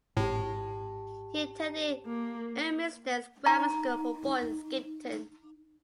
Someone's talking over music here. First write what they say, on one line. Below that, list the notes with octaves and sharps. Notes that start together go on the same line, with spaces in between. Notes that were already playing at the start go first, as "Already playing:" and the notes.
He attended Ermysted's Grammar School for boys in Skipton.
G#1 A2 G4 A5
A#3
D#4 A#5